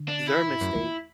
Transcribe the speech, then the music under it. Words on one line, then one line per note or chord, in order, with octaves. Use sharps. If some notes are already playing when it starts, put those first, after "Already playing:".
their mistake
Already playing: D3
D4
E4
G#2
F#2
E2